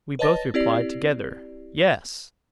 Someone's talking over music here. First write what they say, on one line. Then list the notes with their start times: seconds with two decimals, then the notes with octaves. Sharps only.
We both replied together, 'Yes!'
0.19 B4 C#5 D#5 A5 A6 A#6
0.54 C4 E4 G4 D5 C7